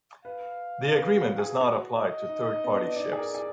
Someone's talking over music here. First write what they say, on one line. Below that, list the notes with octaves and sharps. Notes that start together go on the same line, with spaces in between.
The agreement does not apply to third party ships.
B4 F5
B4
F#4
G#4
F#4
D#5
D#4
D#4
B3
D4
D#4 D5
G#4
A#4
G#4